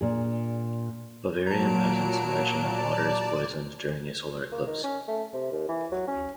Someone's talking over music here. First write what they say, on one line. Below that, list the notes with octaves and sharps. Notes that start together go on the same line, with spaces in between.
Bavarian peasants imagine that water is poisoned during a solar eclipse.
A#2 D4 G#4
A#2 F#3 A5 A#5 D7
D5
A#3
D#3
C#4
A3
C3
D#2
E3
F#3
C#4